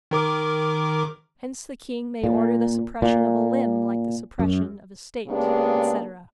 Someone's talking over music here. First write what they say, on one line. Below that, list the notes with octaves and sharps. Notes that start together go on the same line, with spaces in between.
Hence the king may order the suppression of a limb like the suppression of a state, etc.
D#3 A#4 D6
A#2
A#2
F#2
C#3 G#3 A#3 B3 D4 G4